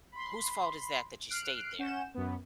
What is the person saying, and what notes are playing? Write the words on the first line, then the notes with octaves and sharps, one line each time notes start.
whose fault is that that you stayed there?
B5 C6
F6 F#6 C7 D7
C#4 F#5 G6 E7
F#2 B3